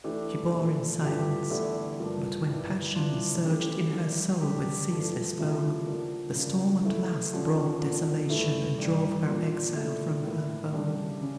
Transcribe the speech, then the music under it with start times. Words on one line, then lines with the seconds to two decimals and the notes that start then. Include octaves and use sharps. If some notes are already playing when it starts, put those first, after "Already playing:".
She bore in silence--but when passion Surged in her soul with ceaseless foam, The storm at last brought desolation, And drove her exiled from her home.
0.04 E3 A3 D4 G4
0.53 A#2 F3 A3
1.02 G2 F3 A3 E4 G4
1.50 E2 D3 A3 E4 G4
1.99 G2 F3 A#3
2.47 G2 E3 G3 A#3
2.96 E3 G3 D4 F4
3.44 E3 A3 C#4 G4
3.92 E3 G3 A#3
4.41 D3 G3 D4 G4
4.89 G2 F3 A3
5.38 C#3 F3 A3 E4 G4
5.87 D3 F3 A#3
6.35 C#3 F3 A#3 D4
6.84 E3 A3 E4
7.33 D3 F3 C#4
7.80 E2 D3 F3 A#3
8.29 G2 E3 A3 E4
8.78 G2 E3 G3
9.26 A#2 F3 A#3 D4 F4
9.75 A#2 A3 E4
10.23 A2 E3 A#3 E4
10.72 C#3 G3 A#3 D4 G4
11.20 C#3 G3 C#4